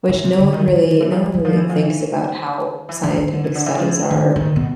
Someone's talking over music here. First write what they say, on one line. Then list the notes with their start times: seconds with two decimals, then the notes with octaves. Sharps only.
which no one really no one really thinks about how scientific studies are,
0.09 E3
0.23 C3
0.38 D3
0.53 D#3
0.67 F3
0.78 E3
0.90 D#3
1.00 E3
1.12 F3
1.23 F3
1.34 E3
1.44 F3
1.56 E3
1.69 F3
1.78 E3
2.00 D#3
2.89 E3
3.03 E3
3.18 D#3
3.33 D3
3.44 C#3
3.55 D3
3.66 E3
3.77 F3
3.88 E3
3.99 D#3
4.11 D#3
4.36 D#3
4.56 B2